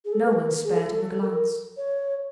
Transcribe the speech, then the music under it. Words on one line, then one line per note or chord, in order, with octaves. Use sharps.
No one spared him a glance.
G#4
A4
B4
A#4
G#4
A4
A4
A#4
C#5